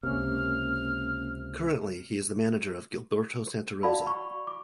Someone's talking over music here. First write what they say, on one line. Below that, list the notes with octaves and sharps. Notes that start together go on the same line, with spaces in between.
Currently, he is the manager of Gilberto Santa Rosa.
C#2 C3 A#3 C#4 F6
F#4 D5 F5 F#5 A5 B5
B5 C#6
D6